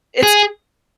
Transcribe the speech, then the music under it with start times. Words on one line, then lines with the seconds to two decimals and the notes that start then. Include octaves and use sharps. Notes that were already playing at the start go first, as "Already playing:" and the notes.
it's g
0.23 G#4